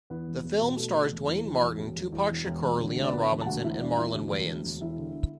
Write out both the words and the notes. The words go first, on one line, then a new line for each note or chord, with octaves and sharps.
The film stars Duane Martin, Tupac Shakur, Leon Robinson and Marlon Wayans.
E2 B3 B4
E1
E1
B2
B2 A3 A4
B2
E1
E2
E2
E1
E1
E1
E2
E1
E1
E1
D3
D2
D5
D2 B3 B4
E1
A5
D2 F#4 F#5
E1 E4 E5
E1 D4 D5
E1 E4 E5
D2
E1
D2
E1
E1 E4 E5
D3